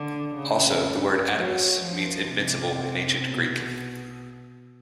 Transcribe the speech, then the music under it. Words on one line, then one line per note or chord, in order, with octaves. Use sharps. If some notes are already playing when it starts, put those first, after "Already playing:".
Also, the word "Adamas" means "invincible" in Ancient Greek.
Already playing: D3
C#3
F#3
F3
C3
B2